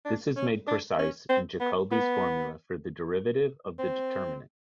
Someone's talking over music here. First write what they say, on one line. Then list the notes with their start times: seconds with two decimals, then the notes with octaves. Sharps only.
This is made precise in Jacobi's formula for the derivative of the determinant.
0.05 D4
0.36 C#4
0.68 D4
0.99 C#4
1.29 C4
1.61 B3
1.92 B3
3.79 C4